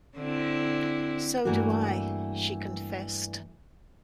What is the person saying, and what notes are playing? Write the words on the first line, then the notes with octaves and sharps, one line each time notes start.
"So do I," she confessed.
D3 C4 E4
G2 E3 A3 A#3 F#4